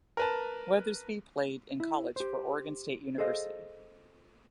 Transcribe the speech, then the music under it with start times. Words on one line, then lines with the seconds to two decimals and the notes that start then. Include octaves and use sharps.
Weathersby played in college for Oregon State University.
0.17 A#4 B4 A5
1.80 E4
2.16 G4 C5
3.18 G#4 A4 C5 D#5 F5